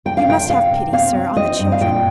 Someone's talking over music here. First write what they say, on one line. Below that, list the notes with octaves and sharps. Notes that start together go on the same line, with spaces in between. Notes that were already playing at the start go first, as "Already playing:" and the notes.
You must have pity, sir, on the children.
C3 G5
F5
C3 G5
C3 F5
C3
C4 F5
C4
C4 D#5
G2
F5
A#2 G5